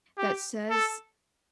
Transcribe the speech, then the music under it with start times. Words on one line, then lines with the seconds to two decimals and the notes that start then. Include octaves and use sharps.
that says
0.17 G4
0.70 A4